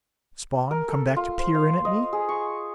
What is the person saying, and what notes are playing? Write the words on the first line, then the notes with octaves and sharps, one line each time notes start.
Spawn, come back to peer in at me?
A#4
A4
F4
C5
F5
D#5
G#4
C#6